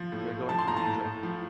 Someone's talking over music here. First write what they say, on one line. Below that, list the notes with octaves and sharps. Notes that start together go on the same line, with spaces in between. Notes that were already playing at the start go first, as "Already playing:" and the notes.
We are going to Vidrà.
Already playing: F3
A2
A2
F3 A5
C6
A2 A#5
A5
A2
A2
F3